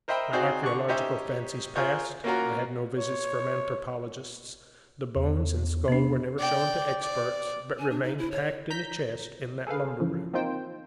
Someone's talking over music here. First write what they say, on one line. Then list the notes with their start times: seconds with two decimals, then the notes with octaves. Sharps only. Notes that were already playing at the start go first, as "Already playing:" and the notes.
My archaeological fancies passed; I had no visits from anthropologists; the bones and skull were never shown to experts, but remained packed in a chest in that lumber-room.
0.08 A#4 C5 D#5 E5 G5 B5
0.33 C4 D#4 F#4 G#4 C5 D5
0.63 D3 C#6
0.88 C#4 D#4 G4 C5 C#5 E5
1.76 F4 G#4 A#4 C5 C#5
2.24 A#3 C#4 F4 F#4 A#4
2.97 C#5
5.16 E2
5.88 C3 B3 D4
6.39 D5 G5
7.02 D5
7.79 G#5
7.90 D4
8.03 D#4
8.18 E4
8.31 C#5
8.70 A#5 G6 B6
9.67 G#4 A4 B4 F5
10.00 C#3 E3 F3
10.34 A#3 C4 D#4 F4 C5 G5